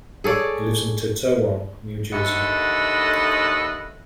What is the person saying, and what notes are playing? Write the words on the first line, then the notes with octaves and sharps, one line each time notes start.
He lives in Totowa, New Jersey.
G#4 A4 C#5 D5
D#2 D3 E4 A4 D#5 F#5